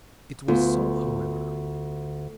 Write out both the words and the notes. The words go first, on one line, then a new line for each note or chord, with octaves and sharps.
It was so, however.
D2 B3 F4